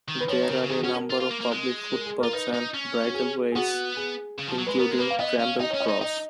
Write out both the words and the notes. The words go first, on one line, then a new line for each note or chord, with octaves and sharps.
There are a number of public footpaths and bridleways, including Cramble Cross.
D#3
B4
F3 C#5
D#3
C#3 A#4
C#3
D#3 G#4
C#4 F#4
A#4
F4
F4
A#3
A#3
G#3
A#4
G#4
F4 A#4
D#4 B4
D#4
C#4
F#4
G#4
G#4
B3 F#4
G#4
C#3
F3
F#3
G#3 B4
B3 A#4
G#3
A#3 B4
F5
B3 D#5
C#4 F5
D#4 D#5
C#4 C#5
D#5
D#4
D#4 D#5